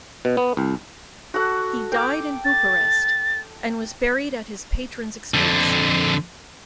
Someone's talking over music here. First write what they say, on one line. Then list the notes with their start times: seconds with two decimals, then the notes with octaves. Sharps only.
He died in Bucharest, and was buried at his patron's expense.
0.25 B2
0.37 B3
0.57 C2
1.34 F#4 A4 F#5
1.92 G5 D6
2.45 A6
5.34 F2 D3